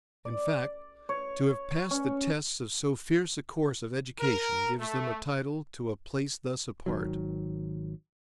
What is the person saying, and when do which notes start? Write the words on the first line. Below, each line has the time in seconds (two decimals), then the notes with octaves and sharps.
In fact, to have passed the tests of so fierce a course of education gives them a title to a place thus apart.
0.25 D5
1.09 C#5
1.91 C#4
4.19 A#4
4.79 A3
6.86 G#1 E2 D#3 F#3